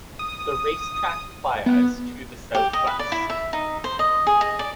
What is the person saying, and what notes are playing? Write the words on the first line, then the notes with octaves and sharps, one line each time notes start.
The Racetrack Playa is to the southwest.
D#6
B3
G4
D#5
B4
D5
E4
E5
D#4
C5
D#5
G#4
D#5
D5